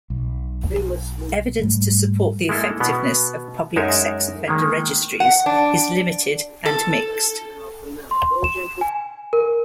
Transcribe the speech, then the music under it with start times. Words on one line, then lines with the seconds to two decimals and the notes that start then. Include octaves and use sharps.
Evidence to support the effectiveness of public sex offender registries is limited and mixed.
0.10 B1
1.59 G#2 G3 A3
2.49 G#3 A#3 E4 A4
2.80 B2 B3
3.76 F#2 G#3 D#4 A#4 E5
4.48 D#3 G#3 A#3
5.20 F#5
5.46 D4
6.66 A4
8.11 C6
8.44 E7
8.81 G#5
9.33 A#4